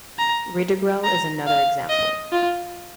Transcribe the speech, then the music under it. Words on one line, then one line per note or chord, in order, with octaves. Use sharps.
Ridogrel is another example.
A#5
A#5
F5
D#5
F4